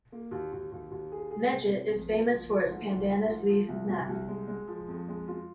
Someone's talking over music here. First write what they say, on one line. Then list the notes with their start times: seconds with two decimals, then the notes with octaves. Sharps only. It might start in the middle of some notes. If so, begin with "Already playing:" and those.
Mejit is famous for its pandanus leaf mats.
0.12 A#3
0.31 D#2
0.52 D#2
0.72 D#2
0.91 D#2
1.12 G#4
1.30 G#4
1.51 C3
1.70 G#3
1.90 F2
2.10 F3
2.30 F3
2.50 F3
2.70 G#2
2.90 G#2
3.10 G#2
3.30 F3
3.49 F3
3.69 C2
3.89 C2
4.09 C2
4.28 G#3
4.48 G#3
4.68 F3
4.88 F2
5.08 G#3
5.28 F4